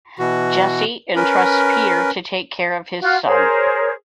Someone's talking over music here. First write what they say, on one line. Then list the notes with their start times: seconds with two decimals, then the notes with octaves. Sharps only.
Jesse entrusts Peter to take care of his son.
0.19 B2 E3 F#4
1.16 C#4 A#4 B4
3.01 F4 F#4 F5
3.26 G#4 A#4 C5 C#5